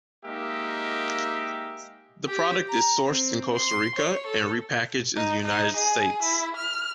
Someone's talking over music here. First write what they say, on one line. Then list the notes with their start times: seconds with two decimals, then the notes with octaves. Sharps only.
The product is sourced in Costa Rica and repackaged in the United States.
0.25 G#3 A#3 D#4 G4 E5
2.27 G4
2.69 A#5
3.07 C4
3.55 C6
3.96 C#5
4.26 A4
5.16 D#4
5.45 D#4
5.76 G#4
6.22 E4
6.56 F6